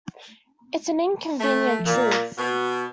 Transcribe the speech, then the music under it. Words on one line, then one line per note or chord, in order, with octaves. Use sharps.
It's an inconvenient truth.
A3
A#2
B2